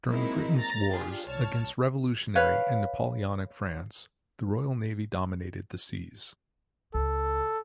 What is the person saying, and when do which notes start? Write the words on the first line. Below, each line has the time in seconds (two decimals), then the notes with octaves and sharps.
During Britain's wars against revolutionary and Napoleonic France, the Royal Navy dominated the seas.
0.11 F#3 G#3 A#3 C4 D#4 E4
0.59 A#5 A6
0.91 D4 F4 G4 G#4
1.24 C2 C#5 A5 F6
2.35 B4 C#5 F5
6.94 C#2 A4